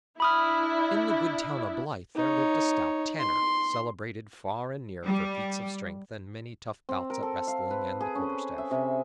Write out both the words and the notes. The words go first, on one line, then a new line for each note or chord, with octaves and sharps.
In the good town of Blyth there lived a stout tanner, celebrated far and near for feats of strength and many tough bouts at wrestling and the quarterstaff.
D4 E4 B5 D#6 F6
D#4 C#5
C6
G3
C4
A#4
A4
F5
B4
G#4
C#4
E5
C3